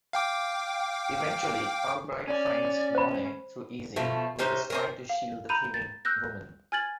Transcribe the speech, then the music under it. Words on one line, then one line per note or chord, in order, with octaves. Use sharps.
Eventually, Albright finds Monet through Easy, who is trying to shield the thieving woman.
F5 G5 D6
C#4 D5
C5 B5
B2 F3 A3
C3 C#4 D#4 C5
C4 C#4 A#4
F5
A#5 B5 G6 D#7
A6
E6 F#6 G6 A#6
G#5 F6 G#6 A6 F#7